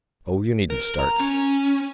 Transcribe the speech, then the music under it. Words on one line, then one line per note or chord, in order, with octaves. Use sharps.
Oh, you needn't start!
A#4
A#5
C#4